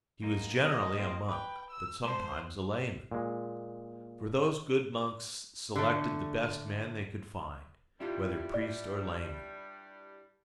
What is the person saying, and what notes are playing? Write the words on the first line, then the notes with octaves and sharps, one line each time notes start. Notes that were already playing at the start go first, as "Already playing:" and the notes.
He was generally a monk, but sometimes a layman; for those good monks selected the best man they could find, whether priest or layman.
F#2 A#3 D#4
D#5
A#3 C4 F4
B4 G5
E6
G#3 C5 A5 C6
A#2 G#3
D3 A3
G2 G3 E4 F4 G4
D5